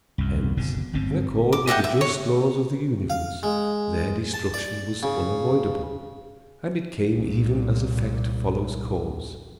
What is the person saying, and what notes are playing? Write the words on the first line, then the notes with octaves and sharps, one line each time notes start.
Hence in accord with the just laws of the universe their destruction was unavoidable, and it came even as effect follows cause.
C2 F#2
F#1 B2 D3
G1 G#2 C#3 C4
D6
D#5 E5 F#5 G5
E5
C#5
F5
G#3
A5
D5
C#3
C2 A#2